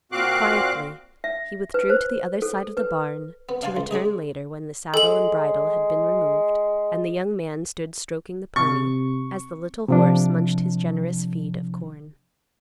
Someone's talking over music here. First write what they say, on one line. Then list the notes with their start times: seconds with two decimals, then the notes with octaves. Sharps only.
Quietly he withdrew to the other side of the barn, to return later when the saddle and bridle had been removed, and the young man stood stroking the pony, as the little horse munched his generous feed of corn.
0.12 A#2 C4 F#4 F5 D6 F#6
1.24 E5
1.74 B4
1.90 C5
2.42 A4
2.77 B4
3.49 B3
3.62 D4 F5 G#5 A5 C6
3.77 C#2
3.91 G#3 D4 G#4 D#5
4.94 G#3 A4 F#7
8.56 C3 C4 C#6
9.88 C3 F3 D4